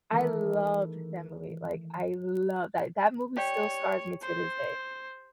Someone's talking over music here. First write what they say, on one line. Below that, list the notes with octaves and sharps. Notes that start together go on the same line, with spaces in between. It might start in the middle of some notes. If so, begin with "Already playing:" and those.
I loved that movie. Like I love that, that movie still scars me to this day.
D#3 E3 G#3 A3 A4 A#4
G4 C#5 D5 G5
C5